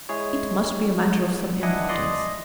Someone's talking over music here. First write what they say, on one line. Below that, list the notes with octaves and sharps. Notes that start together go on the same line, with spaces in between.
It must be a matter of some importance.
G#3 E4 G#4 C#5
D4 E4 D#5 F#5 G#5
D5 D#5 C6 D#6